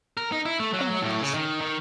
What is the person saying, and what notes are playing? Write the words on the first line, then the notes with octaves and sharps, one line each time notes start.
Oh my gosh.
A#4
D#4
E4
A3
F#3
F#3
A2
C#3
D#3
D#3